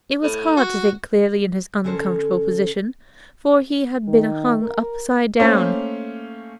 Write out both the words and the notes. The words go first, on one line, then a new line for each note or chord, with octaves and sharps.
It was hard to think clearly in his uncomfortable position, for he had been hung upside down.
A2
F#4
D3 C#4 A4 A#4 C5
D#3
A#4
A3 A#3 C#4 C5